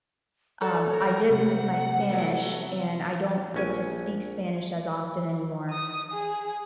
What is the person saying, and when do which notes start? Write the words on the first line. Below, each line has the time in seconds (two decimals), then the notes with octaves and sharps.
um, I did lose my Spanish, and I don't get to speak Spanish as often anymore.
0.62 F#4 A4 C#5 D5
0.90 A#4 C#5 A#5
1.30 C3 G3 F#5
2.13 F#3 A3 B3
3.54 A#1 C#4 G#5
5.71 D#6
6.12 G#4